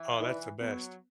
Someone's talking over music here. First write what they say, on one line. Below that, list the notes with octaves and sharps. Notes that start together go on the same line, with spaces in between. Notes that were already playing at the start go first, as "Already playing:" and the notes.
Oh, that's the best.
Already playing: E3
E4 B4 D5
F#3 B3